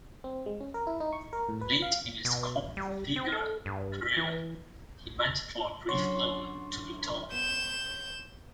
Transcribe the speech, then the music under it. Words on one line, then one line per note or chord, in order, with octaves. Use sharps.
Late in his Kongsvinger career, he went for a brief loan to Luton.
C4
G#3
C#4
A#4
E4
D#4
C#6
A#4
A2
B4
F5
B2
G3
C4
A4
G2
E3
D3 F#3 C#4 C#5 C6 C#6
B3 G6 E7